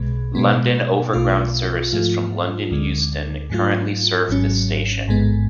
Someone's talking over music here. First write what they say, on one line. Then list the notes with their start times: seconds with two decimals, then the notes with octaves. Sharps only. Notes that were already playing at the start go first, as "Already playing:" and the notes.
London Overground services from London Euston currently serve this station.
Already playing: B1 B2 G#3
0.35 B2 G#3 B3
1.13 B1 B2 A3 F4
1.92 G#2 F3 A3 F4
2.71 D2 D3 G#3
3.50 G#2 F#3 A3 F4
4.29 G#1 G#2 F#3 C#4
5.08 A1 G#2 G#3 B3